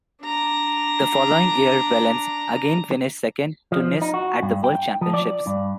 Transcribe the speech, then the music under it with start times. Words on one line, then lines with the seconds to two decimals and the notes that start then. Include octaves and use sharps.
The following year Wellens again finished second to Nys at the World Championships.
0.23 D4 A#5
3.72 F3
4.02 D#4
4.14 F#4
4.42 G2
4.64 G5
5.01 F3
5.14 D5
5.47 G2